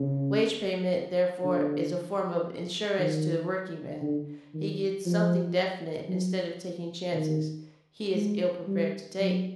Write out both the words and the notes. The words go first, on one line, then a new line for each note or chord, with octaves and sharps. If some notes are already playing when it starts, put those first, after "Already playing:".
Wage payment, therefore, is a form of insurance to the workingman; he gets something definite instead of taking chances he is ill prepared to take.
Already playing: C#3
D3
D#3
D3
D#3
F3
F#3
D#3
G#3
G3
F#3